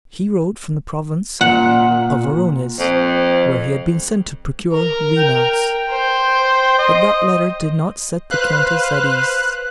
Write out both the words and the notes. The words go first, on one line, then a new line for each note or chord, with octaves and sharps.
He wrote from the province of Voronezh where he had been sent to procure remounts, but that letter did not set the countess at ease.
A#2 F#5
F2
A#4
G5
C5
D#5
B4 C5 F5 F#6